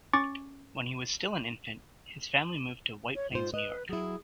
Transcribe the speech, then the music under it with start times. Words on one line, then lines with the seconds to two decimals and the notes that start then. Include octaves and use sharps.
When he was still an infant, his family moved to White Plains, New York.
0.14 C#4 C#6 D6 A6 C#7
3.15 C#5
3.32 G#2 F4 C5
3.54 B4 D#5
3.89 F#3 E4 G#4